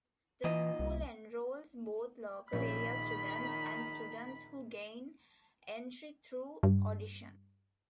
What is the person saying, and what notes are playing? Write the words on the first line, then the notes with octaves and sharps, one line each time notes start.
The school enrolls both local area students and students who gain entry through auditions.
A#2 E3 D#5
C2
A#1 A#2 D#3 C#4 B5
G2